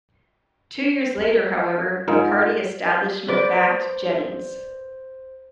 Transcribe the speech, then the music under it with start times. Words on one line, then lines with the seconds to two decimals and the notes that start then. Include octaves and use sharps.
Two years later, however, the party establishment backed Jennings.
2.08 G#2 F4 A#4
3.28 B4 C5 D5